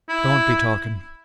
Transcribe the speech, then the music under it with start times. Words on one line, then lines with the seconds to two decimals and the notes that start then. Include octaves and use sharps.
Don't be talking!
0.09 E4